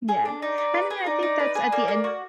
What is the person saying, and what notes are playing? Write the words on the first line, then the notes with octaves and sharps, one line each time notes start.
Yeah. And I mean, I think that's at the end
G#4
D4
D#4 D5
D#4
B4
G#4
D#4 D5
D#4
B4
G#4
A#3 D5
A#3
F#4